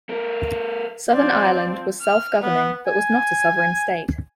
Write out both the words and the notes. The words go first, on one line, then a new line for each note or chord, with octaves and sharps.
Southern Ireland was self-governing but was not a sovereign state.
A3 A#4
F3 C4 D5
F6
B3
G#5